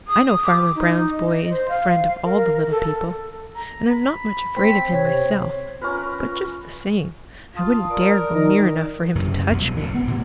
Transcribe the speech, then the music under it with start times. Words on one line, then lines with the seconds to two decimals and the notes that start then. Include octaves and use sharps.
"I know Farmer Brown's boy is the friend of all the little people, and I'm not much afraid of him myself, but just the same I wouldn't dare go near enough for him to touch me."
0.07 D#6
0.43 D6
0.75 D#4
1.12 D#5
1.50 C5
1.69 F5
2.24 A#4
2.70 A4
3.54 A#5
3.91 B5
4.56 C4 B6
4.91 C3 C#5
5.81 C#4 F4 A#4 B4
7.56 F4 A5 D#6
7.91 A#4 D5 D#6
8.33 D#3
9.15 F#1 F#2 C3 E3
9.51 E1 C2 F2 B2
9.77 F#1 F2 A#2
9.94 B3 C4
10.07 A2 C3 E3 A#3